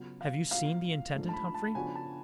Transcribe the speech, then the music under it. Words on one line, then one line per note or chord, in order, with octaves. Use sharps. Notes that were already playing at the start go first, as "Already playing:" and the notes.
"Have you seen the intendant, Humphrey?"
Already playing: C#3 F#3 B3 F4
F5
A2 F3 B3 F#4 F5
G#2 F3 A3 D4
A5
B5
A5
C#3 F3 B3 D4 F#4 G#5
A5